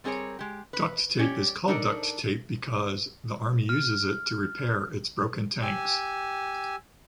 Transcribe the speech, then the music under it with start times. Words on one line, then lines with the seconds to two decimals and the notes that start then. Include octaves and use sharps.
Duct tape is called duct tape because the army uses it to repair its broken tanks.
0.04 G3 C4 G#4 A#4 C#5
0.39 G#3 G4
0.73 B4
1.19 C#4 G4 C#5 D5
1.68 D4 D#4 A4 A#4
3.69 F6
5.62 G4 G#5 E6